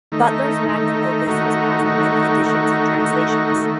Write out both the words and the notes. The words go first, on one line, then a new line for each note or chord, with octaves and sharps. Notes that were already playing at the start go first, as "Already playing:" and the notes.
Butler's magnum opus has passed many editions and translations.
D#3 A3 D#4
D#3 A3 D#4
D#3 A3 D#4 F#4
D#3 A3 D#4 F#4
D#3 A3 D#4 F#4
D#3 A3 D#4 F#4
D#3 A3